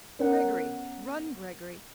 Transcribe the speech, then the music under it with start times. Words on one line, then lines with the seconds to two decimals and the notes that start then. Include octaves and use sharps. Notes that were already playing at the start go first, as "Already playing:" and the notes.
Gregory! run, Gregory!
0.19 B3 C#4 A#4 F#5